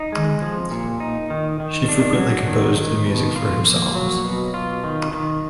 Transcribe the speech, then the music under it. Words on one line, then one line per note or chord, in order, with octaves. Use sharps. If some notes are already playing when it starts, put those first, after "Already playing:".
She frequently composed the music for her songs.
Already playing: D#4
G#3
F3
A#2
D#4
D#3
D#3
D4
F#3
D#3
D#3
B2
F4
A#3
F#3
B2
F4
D#3
D#3